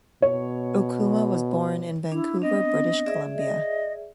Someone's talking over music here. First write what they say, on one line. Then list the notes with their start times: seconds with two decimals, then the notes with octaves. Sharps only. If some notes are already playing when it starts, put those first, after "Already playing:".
Okuma was born in Vancouver, British Columbia.
0.22 B2 C#5
2.12 D4 E4
2.42 B3 C4 D4 D#5
3.06 G#4 D5 E5
3.36 D#5